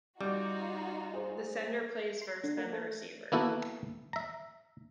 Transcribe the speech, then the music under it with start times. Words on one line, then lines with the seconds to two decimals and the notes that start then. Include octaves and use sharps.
The sender plays first, then the receiver.
0.21 G3 D#4 F4 F#4 D6 G6
1.14 G#4 C5
2.22 C6
2.44 D3
2.58 A#3
2.73 A3
2.92 A#6
3.32 A#3 B3 E4 F#4 A4
4.13 E5 A#5